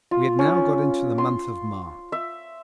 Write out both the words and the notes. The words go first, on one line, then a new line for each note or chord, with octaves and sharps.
We had now got into the month of March.
F4
C#4
C6
E5